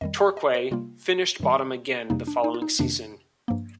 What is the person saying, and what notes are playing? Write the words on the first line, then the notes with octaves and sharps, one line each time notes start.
Torquay finished bottom again the following season.
F2 D#3 G3 D#5
F5
D#5
C5
C3 G3 A#3 F4
G2 D#3 G3
F2 C3 G3 A#3 D#4
D4
D#4
F4
D#4
F2 C3 D#3 A#3 D4
G2 F3 A#3